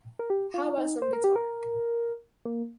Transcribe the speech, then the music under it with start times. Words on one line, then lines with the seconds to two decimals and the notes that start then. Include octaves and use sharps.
How about some guitar?
0.19 A#4
0.30 G4
0.54 F4
0.78 D#4
1.02 C5
1.13 A#4
1.24 G4
1.36 A#4
2.45 A#3